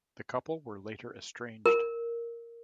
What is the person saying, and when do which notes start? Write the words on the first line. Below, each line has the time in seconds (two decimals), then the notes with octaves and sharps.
The couple were later estranged.
1.66 A#4